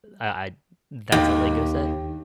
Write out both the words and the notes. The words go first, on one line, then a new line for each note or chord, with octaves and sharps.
I I that's a LEGO set?
D#2